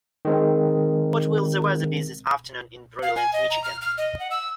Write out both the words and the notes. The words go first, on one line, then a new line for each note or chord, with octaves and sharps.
What will the weather be this Afternoon in Brilliant Michigan?
D#3 G#3 C4
F5
G#5
D#5
A#5
F6
F6
D#5
F#5
E6